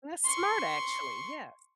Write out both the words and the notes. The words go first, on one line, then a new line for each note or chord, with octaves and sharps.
That's smart actually, yes.
C6 C#6